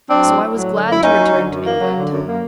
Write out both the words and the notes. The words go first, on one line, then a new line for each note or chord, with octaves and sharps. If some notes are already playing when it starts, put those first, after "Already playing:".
So I was glad to return to England.
F#3 C4 D4
A2
A2
F#3
D3
F#2 E4
A#3 C#4 D#4
F#3
D3
F#2
A#3
F#3
D3
F#2
A#3